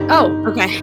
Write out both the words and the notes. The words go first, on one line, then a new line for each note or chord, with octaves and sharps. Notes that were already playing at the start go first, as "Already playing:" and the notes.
Oh, okay.
Already playing: G1 D#4 G4
D#4